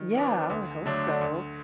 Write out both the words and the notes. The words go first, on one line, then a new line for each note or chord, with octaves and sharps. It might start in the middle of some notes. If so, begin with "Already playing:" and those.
Yeah, I would hope so.
Already playing: D#3
F#3 B3 D4
D2
D3 F#3 A3 D4
D2